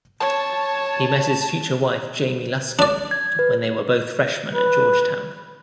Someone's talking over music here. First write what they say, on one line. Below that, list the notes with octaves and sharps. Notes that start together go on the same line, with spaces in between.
He met his future wife, Jamie Luskin, when they were both freshmen at Georgetown.
C#5 A5
D4 D5
G#6
B4
B4